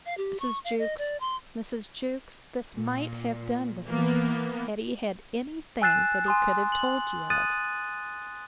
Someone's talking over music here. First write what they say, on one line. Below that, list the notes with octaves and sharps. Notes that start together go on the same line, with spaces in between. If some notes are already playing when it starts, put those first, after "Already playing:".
Mrs. Jewkes, Mrs. Jewkes, this might have done with me, had he had any thing that he could have told you of.
F5
G4
C#6
F5
D#5
D5
C6
A#2
E3 A#3 B3
G#5 E6 F#6 A6 C7 E7
G#5 C6 D#6
F#7
D#6 F#6 A6 D#7